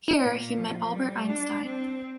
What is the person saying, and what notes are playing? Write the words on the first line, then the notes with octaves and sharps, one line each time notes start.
Here he met Albert Einstein.
A#2
F3
G3
D4
C4